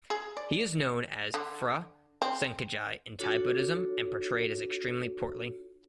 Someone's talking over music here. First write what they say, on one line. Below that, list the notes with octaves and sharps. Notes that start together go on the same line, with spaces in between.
He is known as Phra Sangkajai in Thai Buddhism and portrayed as extremely portly.
G#4
D5
D3
C4
D4 F4 F#4 A4 C#5